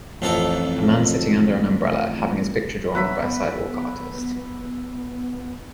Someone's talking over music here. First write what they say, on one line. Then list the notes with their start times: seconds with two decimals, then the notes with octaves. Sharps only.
A man sitting under an umbrella, having his picture drawn by a sidewalk artist.
0.22 A1 F2 F4 A4
2.95 F#3 B3 B4 E5 B5